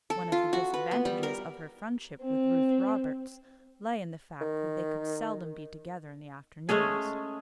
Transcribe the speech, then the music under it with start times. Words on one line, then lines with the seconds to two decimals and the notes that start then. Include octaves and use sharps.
One of the disadvantages of her friendship with Ruth Roberts lay in the fact that they could seldom be together in the afternoons.
0.10 A4
0.32 F4
0.53 F#4
0.74 B4
0.91 B3
1.05 G3
1.23 A#4
2.23 C4
4.41 D#3
6.69 G#3 A3 C#4 G#4